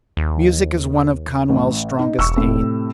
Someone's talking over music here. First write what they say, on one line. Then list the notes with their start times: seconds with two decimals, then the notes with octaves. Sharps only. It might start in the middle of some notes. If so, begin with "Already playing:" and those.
Music is one of Conwell's strongest aids.
0.17 D#2
1.49 A1
1.99 D#4
2.19 E1 C#6 E6
2.37 A2 C3